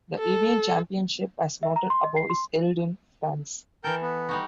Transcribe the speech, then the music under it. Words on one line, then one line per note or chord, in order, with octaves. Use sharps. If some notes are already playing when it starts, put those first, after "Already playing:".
The Evian Championship, as noted above, is held in France.
A4
E5
A#5
C6
D#5
C7
C6
E3 A4 A#4 G5 G6
B3
G3 D#4 F#4